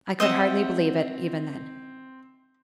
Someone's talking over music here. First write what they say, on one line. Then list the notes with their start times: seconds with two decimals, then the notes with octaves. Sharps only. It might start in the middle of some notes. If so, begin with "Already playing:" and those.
I could hardly believe it, even then!
0.20 C4 D#5 E5 F#5